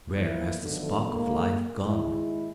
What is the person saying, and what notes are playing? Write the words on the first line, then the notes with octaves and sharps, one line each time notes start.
Where has the spark of life gone?
E3 F3 A#3 B3 E4
D3 D#3 F3 F#3 A3 B3
A2 D3 G#3 A#3
D#2 G#2 G#3 E4